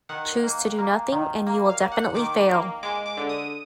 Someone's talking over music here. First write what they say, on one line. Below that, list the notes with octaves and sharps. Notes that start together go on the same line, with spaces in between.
Choose to do nothing and you will definitely fail.
D#3 F#5
A#3
A#3
D#3
A#3
F5
A#3
F#5
D#3 D6
A#3
G#3 D6
D6
D3
D#6